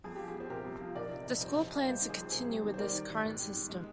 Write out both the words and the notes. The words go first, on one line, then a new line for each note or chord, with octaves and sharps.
The school plans to continue with this current system.
F2 G#4
F3 G4
G#4
F2
C5
C3 G4 A#4
F2
F3
F1 A#4 D5
C3
F1
F2 C5 D#5
F1
C3 F5
G3 C5 D#5
D#3
G#4 C5
F2
C3 G#4 C5
G3
D#3
C5
G3 A#4 D5
D#3
G#1
G#2
G3
D#3
G#3